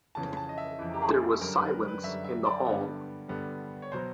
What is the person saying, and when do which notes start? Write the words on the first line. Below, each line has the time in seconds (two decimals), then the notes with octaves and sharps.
There was silence in the hall.
0.15 F2 C#3 E3 A5
0.37 A5
0.49 D#5
0.58 E5
0.79 F2 C#3 E3
0.93 G4
1.02 G#4
1.09 A4
1.41 F#2 D3 G3 A#4
1.57 B4
1.88 B4
2.03 F#2 D3 G3 E5
2.24 E5
2.45 D5
2.66 G2 D3 G3 B3
3.28 G2 D3 G3 B3
3.82 C#5
3.92 B2 F#3 C5